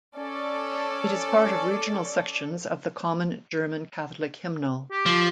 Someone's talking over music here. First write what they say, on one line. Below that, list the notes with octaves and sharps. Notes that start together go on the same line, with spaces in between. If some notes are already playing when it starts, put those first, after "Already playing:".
It is part of regional sections of the common German Catholic hymnal.
C#4 A4 D5
G4
F3